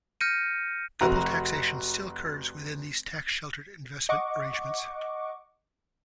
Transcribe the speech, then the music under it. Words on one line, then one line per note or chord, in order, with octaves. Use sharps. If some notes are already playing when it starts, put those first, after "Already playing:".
Double taxation still occurs within these tax-sheltered investment arrangements.
F6 G6 A#6 C#7 D#7
F1 F#4 A#5
D#5 F#5 C#6 D6